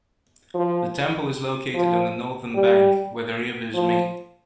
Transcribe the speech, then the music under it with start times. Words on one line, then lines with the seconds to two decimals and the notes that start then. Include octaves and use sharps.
The temple is located on the northern bank where the rivers meet.
0.54 F3
1.75 F3
2.55 G3
3.74 F3